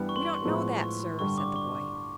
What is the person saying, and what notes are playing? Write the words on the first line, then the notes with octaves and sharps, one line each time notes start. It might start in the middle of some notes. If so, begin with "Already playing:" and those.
"We don't know that, sir," said the boy.
Already playing: G2 E3 G3 B3 D4
C#6
C6
C#6
A2 F3 G#3 B3
C#6
G2 D3 G3 C#6
D6
C#6